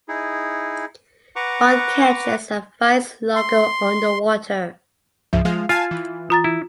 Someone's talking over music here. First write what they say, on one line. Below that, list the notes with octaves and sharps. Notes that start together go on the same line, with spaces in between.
Bond catches and fights Largo underwater.
D#4 E4 G#4
B4 F#5 A#5 C#6 D6
C6
C#2 G#2 F3 E5
F3 G#3 F5
F4 F5 G#5 A5
E3
F4 A#5 A6
E4